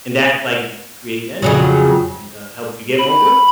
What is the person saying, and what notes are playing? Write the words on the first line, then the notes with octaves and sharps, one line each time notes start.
and that, like, creates energy and and, uh, helps you get more work done,
F2 C#3 F#3
B5